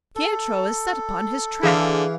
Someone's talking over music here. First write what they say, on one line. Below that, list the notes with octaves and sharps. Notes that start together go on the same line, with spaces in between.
Pietro is set upon his track.
A4
D3 E3 G#4 F5